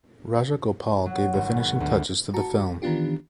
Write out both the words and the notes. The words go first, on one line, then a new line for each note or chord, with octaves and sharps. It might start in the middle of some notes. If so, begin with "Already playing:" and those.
Rajagopal gave the finishing touches to the film.
F#3
G#1
B3
D2
F#4 A5 A#5
D#3 E3 B3 D4 F4 G4